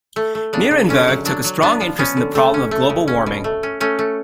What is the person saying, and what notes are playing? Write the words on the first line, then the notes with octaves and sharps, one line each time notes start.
Nierenberg took a strong interest in the problem of global warming.
A3
A3
C#3 D4
C#3
D3 C#4
F#3
F#3 D4
F#3
B3 D4
F3
B3 C#4
D3
A3
C#4
A3
C#3
C#4
B2
A3
C#4
A3 C#4
A3